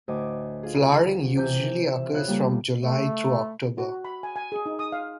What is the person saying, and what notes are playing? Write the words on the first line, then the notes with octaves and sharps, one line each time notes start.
Flowering usually occurs from July through October.
D2 A2 D#5 G#5 D6
F4 G#4
C3 E3 G#5 G6
E5
E2 C#3 F4 F#6
G3 A#3 G4 A4
A3
F#4
B5
G#5
G#5
G#4
D#4
D#6
F5